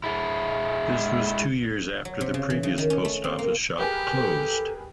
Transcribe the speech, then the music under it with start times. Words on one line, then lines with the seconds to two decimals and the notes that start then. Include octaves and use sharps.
This was two years after the previous post office shop closed.
0.04 G#3 E4
2.05 F#3
2.21 C3
2.34 C#3
2.50 E3
2.63 C#3
2.78 D#3
2.90 C#4
3.05 A3
3.24 C4
3.39 A#3
3.78 G4 G#4 A#4 B4
4.18 A4